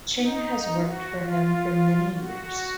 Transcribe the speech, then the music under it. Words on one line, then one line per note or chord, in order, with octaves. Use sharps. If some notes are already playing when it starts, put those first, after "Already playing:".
Ching has worked for him for many years.
D#4
F#4
F4
F#4